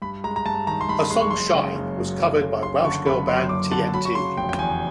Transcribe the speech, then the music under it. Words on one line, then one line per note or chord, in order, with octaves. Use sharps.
Her song 'Shine' was covered by Welsh girl band TnT.
G2 B5
G#3 A#5
A#5
G2 A5
D#3 A#5
C6
G2 B5
G#3 C6
C#6
F#1 C6
C#3
F#1
F#2
F#1
C#3
F#1 C6
D3 C#6
F#1 B5
F#2 C6
F#1 D6
D3 A5
F#3 B5
C#6
C#3 C6
F1 G5
G5
E2 G#5